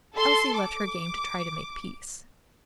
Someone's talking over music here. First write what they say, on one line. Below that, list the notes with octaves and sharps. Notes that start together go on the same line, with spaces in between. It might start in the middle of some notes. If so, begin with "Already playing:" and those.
Elsie left her game to try to make peace.
A4 C6
D6